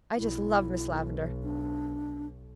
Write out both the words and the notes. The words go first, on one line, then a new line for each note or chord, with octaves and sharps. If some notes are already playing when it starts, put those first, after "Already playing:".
I just love Miss Lavendar.
B1 E4
D4